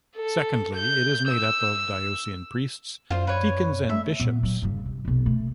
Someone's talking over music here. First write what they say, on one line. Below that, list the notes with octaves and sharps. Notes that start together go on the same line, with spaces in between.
Secondly, it is made up of diocesan priests, deacons, and bishops.
A4
G6
E6
F#2 F4 C5
B4 C#5
A3 E5
A#2 B3
F#3
G2 C#3
C3
B1 C3
A3